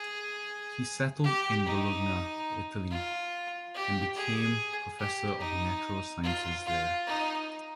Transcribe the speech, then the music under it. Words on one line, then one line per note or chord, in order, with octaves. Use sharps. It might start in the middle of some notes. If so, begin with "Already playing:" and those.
He settled in Bologna, Italy, and became professor of natural sciences there.
Already playing: G#4
G4
D#4
F4
G4
G#4
G4
D#4
F4
F4
D#4